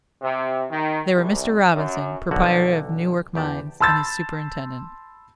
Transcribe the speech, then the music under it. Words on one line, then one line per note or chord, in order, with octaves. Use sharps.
They were Mr. Robinson, proprietor of Newark Mines, and his superintendent.
C3
D#3
C2
F#2
B1 D3 F#4
E2 G4 A5
A5 B5 C6 E6 G6 A6